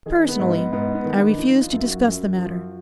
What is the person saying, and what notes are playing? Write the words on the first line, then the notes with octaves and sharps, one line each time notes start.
Personally, I refuse to discuss the matter.
D#3 G#4
B3
G#2
B3
G#2 B3
B3
D#3
D4
F3 D#4
F4
F#2
F#4
F#2
F3